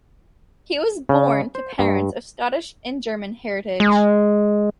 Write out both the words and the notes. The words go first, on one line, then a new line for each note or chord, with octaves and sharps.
He was born to parents of Scottish and German heritage.
C#3
C5
G2
G#3